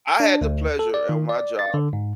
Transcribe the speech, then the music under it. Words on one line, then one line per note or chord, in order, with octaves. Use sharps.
I had the pleasure at my job
D4
D2
A4
D5
D#3
D5
A6
D3
G#2